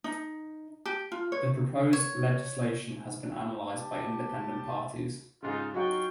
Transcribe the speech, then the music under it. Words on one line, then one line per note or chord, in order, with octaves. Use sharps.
The proposed legislation has been analyzed by independent parties.
D#4
G4
F4
C#5
C#5
G4 A5
G#2 C#3 D#4 F4
F#3 D#4 F4 F#4 G5 C#6